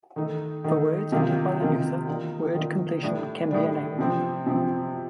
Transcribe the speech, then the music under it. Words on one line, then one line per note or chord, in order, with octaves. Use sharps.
For words entered by the user, word completion can be enabled.
D#3 A3 D#4
D#3 A3 D#4
C3 D#3 A#3 F4
C3 D#3 A#3 F4
D#3 A#3 D4 F4
D#3 A#3 D4 F4
A2 G3 D4
A2 G3 D4
C3 F3 C4
C3 F3 C4